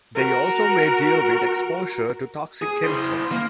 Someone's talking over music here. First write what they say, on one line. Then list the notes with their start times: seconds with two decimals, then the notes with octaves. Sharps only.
They also may deal with exposure to toxic chemicals.
0.15 F#4 A#4
2.62 G#4
2.84 E4 C5
3.32 A#3